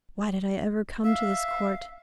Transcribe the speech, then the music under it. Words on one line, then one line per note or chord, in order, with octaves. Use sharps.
Why did I ever come to this court?
E5 F5